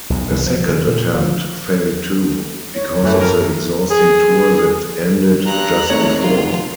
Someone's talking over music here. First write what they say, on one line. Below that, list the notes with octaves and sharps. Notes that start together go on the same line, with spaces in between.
A second attempt failed, too, because of the exhausting tour that ended just before.
B1
C2
F3
C#3
A#2
F3
C#5
F#2 A2 E3 A3
F2 A#4
G#4
G2 A#5 F#6
G#1 A3 C#5
F1 F4